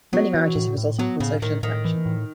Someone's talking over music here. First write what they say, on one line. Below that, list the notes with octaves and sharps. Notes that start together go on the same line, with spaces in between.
Many marriages have resulted from the social interaction.
F#3 B3
E3
A2
A2
F#3 B3
A2 C#3
A2 D#3
A2 D#3
E3
A2